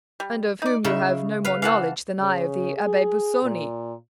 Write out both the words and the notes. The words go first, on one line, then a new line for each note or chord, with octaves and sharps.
"And of whom you have no more knowledge than I of the Abbe Busoni?"
G3
D#4 D5
C#3 D#4 E4 E5
B4 F5
E3 A#3 F5 F#5 A5
C#3
G#4
A#2